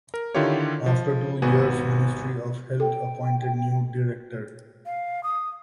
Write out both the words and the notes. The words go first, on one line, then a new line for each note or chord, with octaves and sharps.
After two years ministry of health appointed new director.
A#4
D3 D#3 E4 F4 G4 C#5
F3
G#1 B3 F#4 F#5 G#5
A4 G5
F5
D#6